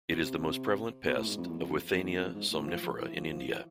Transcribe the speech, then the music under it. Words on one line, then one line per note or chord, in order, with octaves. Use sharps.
It is the most prevalent pest of "Withania somnifera" in India.
B2
C3
B2
A2
G#2
F2
E2
F2
F2
F2
E2
F2
G#2
A2
F3
F3
E3
F3
F3
E3